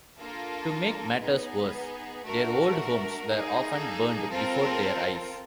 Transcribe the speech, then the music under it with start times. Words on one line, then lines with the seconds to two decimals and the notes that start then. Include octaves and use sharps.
To make matters worse, their old homes were often burned before their eyes.
0.18 A#3 D4 F4 A4 A#4
1.21 B3 D#4 G#4
2.24 A3 D4 F#4 A#4
3.28 A#3 D#4 G#4
3.79 A4
4.31 C4 F4 A4 A#4